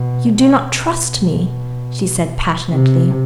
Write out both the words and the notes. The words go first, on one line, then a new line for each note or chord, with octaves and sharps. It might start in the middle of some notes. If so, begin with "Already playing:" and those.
"You do not trust me," she said passionately.
Already playing: B2
B2
C3